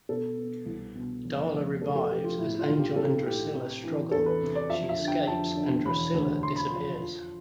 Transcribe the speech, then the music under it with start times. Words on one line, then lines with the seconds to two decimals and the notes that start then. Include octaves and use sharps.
Darla revives as Angel and Drusilla struggle; she escapes and Drusilla disappears.
0.09 B2 A4
0.37 B3
0.66 C2
0.95 B2
1.24 F1
1.53 F1
1.81 F1 A4
1.96 A4
2.10 F1 G4
2.24 F4
2.39 A2 E4
2.59 F4
2.69 B1
2.77 G4
2.96 B1 A4
3.25 A2 G4
3.54 C3
3.84 E3
4.12 E2 A4
4.26 B4
4.41 C3
4.55 D5
4.70 F2 E5
4.89 E5
4.98 D3
5.08 G5
5.27 F2 A5
5.56 D3
5.85 E1 B5
6.14 D2
6.43 D2 C6
6.56 B5
6.69 F3 C6
7.00 F2